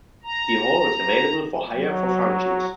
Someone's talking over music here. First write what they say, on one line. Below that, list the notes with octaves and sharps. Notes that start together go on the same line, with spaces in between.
The Hall is available for hire for functions.
A#5
F#3